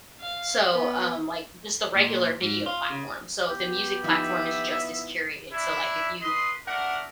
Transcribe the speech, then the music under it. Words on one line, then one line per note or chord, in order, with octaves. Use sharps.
so, um, like just the regular video platform. So, the music platform is just as curated. So, like, if you,
F5
B3
A#2
G#2
F4
C#3
B3 G4
F3 D#4 E4 E5
D4 E4
B4 D#5 C6
A3 D4 A#4 F#5